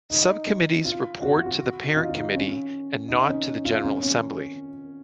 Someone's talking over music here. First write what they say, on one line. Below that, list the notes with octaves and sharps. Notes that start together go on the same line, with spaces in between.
Subcommittees report to the parent committee and not to the general assembly.
D#4
F4
F#4
F4
F#4
D#4
F4
F4
D#4
C#4
D#4
C#4
F4
C#4
C#4